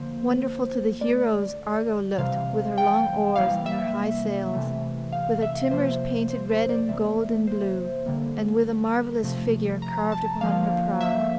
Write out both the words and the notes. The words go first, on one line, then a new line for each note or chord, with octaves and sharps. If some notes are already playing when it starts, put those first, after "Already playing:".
Wonderful to the heroes Argo looked with her long oars and her high sails, with her timbers painted red and gold and blue, and with a marvelous figure carved upon her prow.
Already playing: D3 F3 A#3 C5
D3 A3 D5
C3 E3 G3 F5
G5
C3 E3 G3 A#3 F5
E5
C3 E3 A3
F5
E5
C3 F3 A#3 C5
C5
C5
D5
C3 E3 A#3 E5
C5
D3 G3 A#3
C3 F3 A3
A#5
A5
D3 F3 A#3 F5
E5